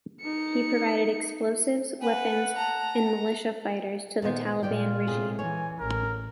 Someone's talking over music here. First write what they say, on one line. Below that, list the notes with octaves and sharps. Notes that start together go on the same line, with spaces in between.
He provided explosives, weapons, and militia fighters to the Taliban regime.
D#4 C#7
B4 F#5 G#5
A5 A#5
A#2 D#3 B3 C5
A#2 G3 F4 D5 G5
A2 C3 G#4
E3 C#5 G#5
A1 A#4